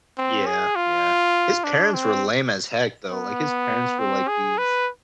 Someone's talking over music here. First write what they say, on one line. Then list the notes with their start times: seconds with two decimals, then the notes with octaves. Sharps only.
Yeah. Yeah. His parents were lame as heck, though. Like, his parents were, like, these
0.18 C4
0.47 G#4
0.76 F4
1.64 D4
1.94 C4
3.11 B3
3.99 C4
4.28 G#4
4.58 B4